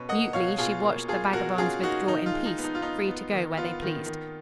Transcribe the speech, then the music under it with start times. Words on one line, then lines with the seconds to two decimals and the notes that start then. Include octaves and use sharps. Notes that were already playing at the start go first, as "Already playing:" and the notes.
Mutely she watched the vagabonds withdraw in peace, free to go where they pleased.
Already playing: B2 C#4 B4
0.09 A#3 D#5 F#5
0.33 B2 C#5 F5
0.58 B2 F4 G#4
0.84 A#3
1.08 A#3 F4 G#4
1.33 B2 F#4 A#4
1.58 C#4 F4 G#4
1.82 A#3 D#4 F#4
2.07 D#3 D#4
2.26 F4
2.33 G#3
2.46 D#4
2.58 B3
2.64 D#4
2.75 F4
2.82 B3 D#4
3.07 B3
3.33 D#3
3.57 B3 F4
3.82 D#3
4.06 D#3